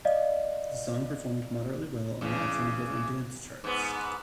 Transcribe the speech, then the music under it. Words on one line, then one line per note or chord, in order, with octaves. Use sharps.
The song performed moderately well on the alternative and dance charts.
D5 D#5 F5
E2 C#3
G#2 B3